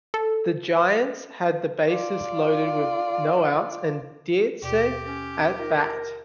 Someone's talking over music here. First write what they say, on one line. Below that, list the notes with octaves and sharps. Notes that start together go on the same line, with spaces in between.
The Giants had the bases loaded with no outs and Dietz at bat.
A4
F4 D5
D#2 B2 G4 D5
C#4
D#4 F4 A#4